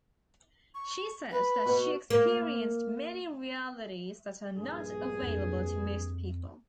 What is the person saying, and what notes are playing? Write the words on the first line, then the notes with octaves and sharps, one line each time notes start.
She said that she experienced many realities that are not available to most people.
C#6
B4
B2 F#4 C#6
A#3
A#1 G2 G#4
F2